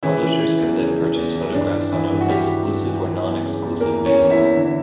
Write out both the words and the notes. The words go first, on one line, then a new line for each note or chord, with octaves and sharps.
Publishers can then purchase photographs on an exclusive or non-exclusive basis.
C#3 E3 E4
C#3
E3
E2
C#3
E3
E2
E3
G2 D4
E3
E3 E4
G2
F#4
G2 G3 G4
E3
G2
E3
E3
E2
C#3
E2
E3 A#3 A#4
E2
C#4 C#5
E2
E4 E5
E2
D3